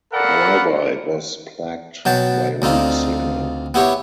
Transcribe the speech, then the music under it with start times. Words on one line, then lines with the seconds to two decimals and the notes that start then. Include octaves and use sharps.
However, it was plagued by a weak signal.
0.13 A4 A#4 D5 F5 F#5 B5
2.05 B2 F#3 G5 A5
2.62 D2 C4 D#4 F4
3.74 B3 E4 G4 C#5